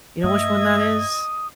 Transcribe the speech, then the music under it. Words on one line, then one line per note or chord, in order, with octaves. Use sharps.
You know which one that is?
G2 A3 D#5 E5 D#6 G#6